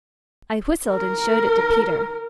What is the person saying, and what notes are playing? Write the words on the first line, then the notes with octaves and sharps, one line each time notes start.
I whistled and showed it to Peter.
A#4